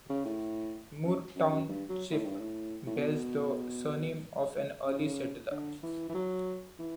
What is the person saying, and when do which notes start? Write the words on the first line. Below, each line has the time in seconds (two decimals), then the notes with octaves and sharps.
Moore Township bears the surname of an early settler.
0.09 C#3
0.25 A2
1.05 F#2
1.36 F#2
1.52 F#2
1.69 G2
1.89 F#3
2.11 A2
2.25 G2
2.39 A2
2.87 A2
2.96 B2
4.87 C#3
5.51 D3
5.83 E3
6.09 E3
6.15 F#3
6.79 E3